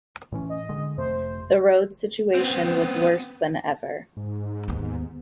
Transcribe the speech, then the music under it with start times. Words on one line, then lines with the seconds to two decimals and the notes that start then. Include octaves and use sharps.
The road situation was worse than ever.
0.32 A2 E3 C#4
0.49 D#5
0.69 D3 G#3
0.98 F2 C3 A3 C5
2.35 B3 C4
4.17 G#2
4.68 D#2 B3